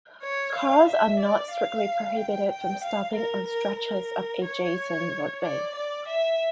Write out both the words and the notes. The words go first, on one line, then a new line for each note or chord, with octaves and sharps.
Cars are not strictly prohibited from stopping on stretches of adjacent roadway.
C#5
F5
E5
D5
F5
G5
G5
F5
A#4
A#4
A#4
C#5
D5
D5
E5